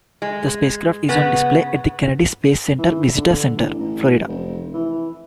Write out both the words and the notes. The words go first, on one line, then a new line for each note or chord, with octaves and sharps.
The spacecraft is on display at the Kennedy Space Center Visitor Center, Florida.
G#3
C#3 B3
E3
D3
A1
A1
F1
E3